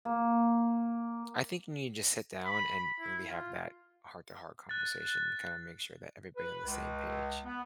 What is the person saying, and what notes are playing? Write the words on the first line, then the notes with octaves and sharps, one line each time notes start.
I think you need to sit down and really have that heart-to-heart conversation and kinda make sure that everybody on the same page.
A#3
B5
E4
F4
F#6 A6
B4
C#2
B3